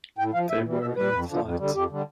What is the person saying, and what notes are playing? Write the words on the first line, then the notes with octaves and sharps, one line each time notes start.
They were in flight!
A2 G5
F3 F5
A2 E5
E3 G3
B2 E5
G3 B4
F2
D3 F3
F2
D3 G3
F2 G4
D3 G3